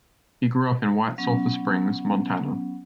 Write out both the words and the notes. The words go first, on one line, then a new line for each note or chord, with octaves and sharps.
He grew up in White Sulphur Springs, Montana.
F#3 B3 C#4